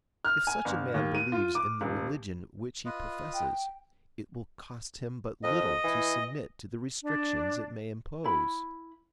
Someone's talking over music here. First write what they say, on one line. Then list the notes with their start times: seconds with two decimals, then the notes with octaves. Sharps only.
If such a man believes in the religion which he professes, it will cost him but little to submit to the restrictions it may impose.
0.25 F6
0.47 G#5
0.65 G1
0.94 D#2
1.15 D#7
1.32 F4
1.55 D6
1.81 D#1
2.86 F4 B4 D#5
3.34 G5
5.43 F2 D#5
5.84 E3
7.03 D4
8.24 E4 B5